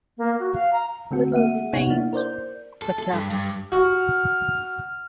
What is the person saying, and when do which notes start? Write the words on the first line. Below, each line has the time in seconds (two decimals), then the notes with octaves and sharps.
Little remains of the castle.
0.18 A#3
0.39 F#4
0.54 F5
0.73 A#5
1.11 D3 A3 C4 F#4
1.32 A#3 E5 F#5 D#7
1.73 C3 B3 C#4 D#4 C#5 F#5
1.90 A#3 D4 E4
2.13 A#4 C5 D5 G6
2.82 A4
2.99 A4
3.12 G2
3.31 G2
3.72 F#4 F6